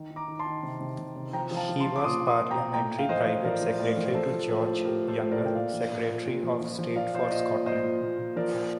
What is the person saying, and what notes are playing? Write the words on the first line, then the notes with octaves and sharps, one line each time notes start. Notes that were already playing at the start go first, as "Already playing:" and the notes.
He was Parliamentary Private Secretary to George Younger, Secretary of State for Scotland.
Already playing: D#3
D#3
A#5 D6
D#3
A5 C6
D#3
C3
C3
C3
C3
F3 G5 A#5
F3
F5 A5
F3
A5 C6
F3
D6
A#2 C6 D#6
A#2
C6 D#6
A#2
G5 A#5
A#2
A2 G5 A#5
A2
F5
F3 C5 D#5
F3
F3 A#4 D5
F3
A2 A#4 D5
F3
F3 A4 C5
F3
F3 A4
A2
A2 G4 A#4
A2
A4 C5
A2
A#4 D5
A2
G5
A#2 D5 F5
F3
A#2
A#2
A#2
F3
F3
F3
F3 D5 F5
A#2 C5
D5
A#2 C5 D#5
A#2
A#2 C5 D#5
A#2
A#2
A#2
F3 A#4 D5
A#2